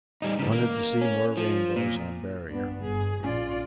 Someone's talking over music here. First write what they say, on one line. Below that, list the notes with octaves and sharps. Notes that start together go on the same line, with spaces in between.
Wanted to see more rainbows on Barrier.
G3 D#4
C#3 E3
A#3
C#4
F3
A#2
G2 B3 D4
G1 G#4
A#1 C#4 F4 D5